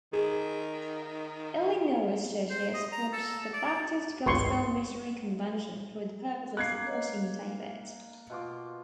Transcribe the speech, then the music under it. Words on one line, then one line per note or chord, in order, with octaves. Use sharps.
Illinois churches formed the "Baptist Gospel Missionary Convention" for the purpose of supporting David.
D#3 G#4
C5
D#5
A#5
A4
D5
G#1 C#2 G2 B4 C6 C#6
A#3 B3 C#4 F#6 G#6 C7
C#5 D#5
B2 F4 D6